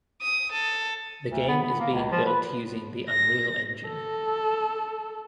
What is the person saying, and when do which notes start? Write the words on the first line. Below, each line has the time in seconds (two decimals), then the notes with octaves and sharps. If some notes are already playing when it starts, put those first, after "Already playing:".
The game is being built using the Unreal Engine.
0.21 D#6
0.52 A4
1.31 D2
1.48 B3
1.63 B3
1.80 A#3
1.93 C#2
2.11 F3
2.26 B4
3.09 A#6
3.87 A4